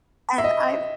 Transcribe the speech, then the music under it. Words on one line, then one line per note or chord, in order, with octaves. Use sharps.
And I'm
E5
D#5